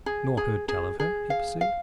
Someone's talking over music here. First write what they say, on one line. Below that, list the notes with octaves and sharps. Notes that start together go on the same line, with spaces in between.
"Nor heard tell of her?" he pursued.
G#4
G#4
G#4
G#4
F5
F5